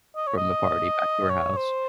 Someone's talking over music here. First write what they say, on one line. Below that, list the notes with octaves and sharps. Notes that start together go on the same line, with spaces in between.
from the party back to her house,
D#5
C#5
D#5
C#5
C5